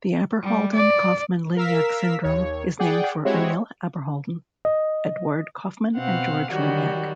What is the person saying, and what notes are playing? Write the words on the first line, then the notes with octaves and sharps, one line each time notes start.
The Abderhalden-Kaufmann-Lignac syndrome is named for Emil Abderhalden, Eduard Kaufmann and George Lignac.
G3
D5
A#4 F5 E6 B6
D#2 C#5
G#4 D5 F#5 G5
G#3 C4 E4 F#4 G4 C#5
D#5
B2 C4 F5 F#5
D#3 F#3 G3 F#4